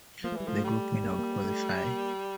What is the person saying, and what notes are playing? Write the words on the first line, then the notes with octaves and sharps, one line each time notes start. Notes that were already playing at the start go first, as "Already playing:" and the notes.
The group winner would qualify.
F3 A#3
A3
E3 G3
F3 A3
G3
A#3
A3
A#3
A3
A#3